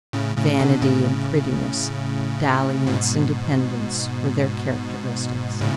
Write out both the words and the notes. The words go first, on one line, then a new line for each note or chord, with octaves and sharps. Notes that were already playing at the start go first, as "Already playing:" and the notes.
Vanity and prettiness, dalliance and dependence were their characteristics.
A2 C#3
A2 C#3
B2 D3
A2 C#3
G#2 B2
A2 C#3